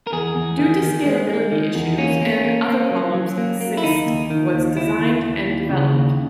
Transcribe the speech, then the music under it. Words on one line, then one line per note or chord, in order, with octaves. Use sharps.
Due to scalability issues and other problems sixxsd was designed and developed.
A#4
E2 G#4
E2
D#3
D#3
G#3
G#3
D#3
E2
A#3 C#4
A#3
A#3
A#3
F#3
F#3
A#3
A#3
E4
D#2 D#4
D#2
D#3
D#2
D#2 E4
D#2
D#2
D#2
C#3
D#2